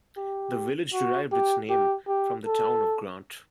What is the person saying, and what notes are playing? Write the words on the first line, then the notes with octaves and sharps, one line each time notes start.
The village derived its name from the Town of Grant.
G4
F#4
G4
G4
G4
A4